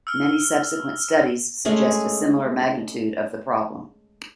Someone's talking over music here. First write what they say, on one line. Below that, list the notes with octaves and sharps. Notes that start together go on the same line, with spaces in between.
Many subsequent studies suggest a similar magnitude of the problem.
E6 F6
G#3 A3 C#4 G#4